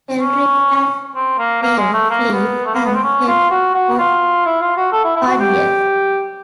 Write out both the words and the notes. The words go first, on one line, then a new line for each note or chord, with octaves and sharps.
Keldric and Faye flee, and head for Fa'Diel.
C#4
C4
A#3
A#3
G#3
A3
A#3
B3
A3
A#3
B3
C4
C#4
F4
F#4
F#4
F4
E4
F4
F#4
A4
E4
E4
F#4
G4